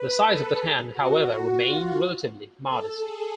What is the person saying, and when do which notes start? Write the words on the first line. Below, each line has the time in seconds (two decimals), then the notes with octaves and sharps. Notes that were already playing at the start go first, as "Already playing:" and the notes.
The size of the town, however, remained relatively modest.
Already playing: B4
0.22 A4
0.56 G#4
0.92 F#4
1.26 F#4
1.60 F4
2.65 A4
2.99 G#4